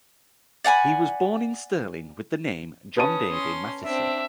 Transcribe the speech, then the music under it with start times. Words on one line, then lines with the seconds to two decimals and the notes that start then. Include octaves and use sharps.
He was born in Stirling with the name John Davie Mathieson.
0.64 D5 F#5 G#5 B5
2.97 C#4 B4 A5 D#6 D#7
3.30 C#4 C6
3.83 C4 D4 E5